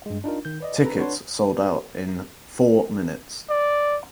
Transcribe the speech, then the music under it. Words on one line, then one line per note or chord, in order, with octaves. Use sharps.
Tickets sold out in four minutes.
G2 G#3
D4 D#4 F4 A#4
D#3 G6
B4 D5 D#5
A4 B4 A#5
D4 B4 C#5 F#5 A5 C6
D5